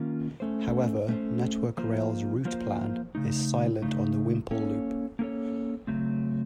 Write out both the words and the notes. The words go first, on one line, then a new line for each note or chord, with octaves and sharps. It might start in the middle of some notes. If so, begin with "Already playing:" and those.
However, Network Rail's Route Plan, is silent on the Whimple loop.
Already playing: D#3 A#3 C#4 F4 A#4
A3 C#4 A4 C5
A3 C#4 A4 C5
F3 A#3 F4 C5
F3 A#3 F4 C5
C#3 A3 D#4
C#3 A3 D#4
A#3 C#4 A4 C#5
A#3 C#4 A4 C#5
C#3 F#3 A3 C4